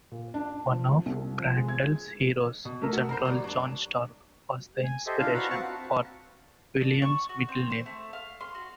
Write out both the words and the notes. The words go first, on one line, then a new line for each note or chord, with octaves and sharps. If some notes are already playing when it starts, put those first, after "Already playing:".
One of Crandall's heroes, General John Stark, was the inspiration for William's middle name.
A#2
D4
F3
C2
F3
G#3
G#6
B2
A3 A4 A#4
F#4
A#4 C5 A#5 B5 C7
F#2 G3
F#3 D4
G#5
G4 A4 C5 D#5 E5
D4 E4 F4 E5 F5
F#4 B4 F5 F#5 A#5 B5
C4 F#4 A5 C#6
F#4
D4
C#6
F#4
C4
C5
A3
F5
C6
F#4